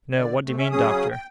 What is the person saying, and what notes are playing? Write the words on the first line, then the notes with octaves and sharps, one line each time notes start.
"No! what do you mean, doctor?"
D3 D5
C3 A3
C#4 E5
C#3 F#3 C#4 G#4 D#6
G5